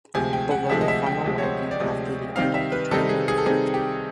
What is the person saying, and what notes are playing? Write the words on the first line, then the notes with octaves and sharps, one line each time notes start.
Below the final ranking after the end of the tournament.
D2 C3 F3 G#3 G#5
G5
F#5
D2 C3 F3 G#3 E5
D#5
E5
G5
D2 C3 F3 G#3
C#5
C5
D5
D2 C3 F3 G#3 D#5
C3 D#3 G3 C4 D#4 F5
E5
B4
C3 D#3 G3 C4 D#4 A4
G#4
G#4
A4
C3 D#3 G3 C4 D#4 G#4
G4